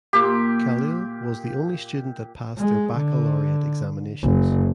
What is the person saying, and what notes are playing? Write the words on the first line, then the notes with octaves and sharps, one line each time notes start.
Khalil was the only student that passed their baccalaureate examinations.
A#2 G4
G#3
D3
F#1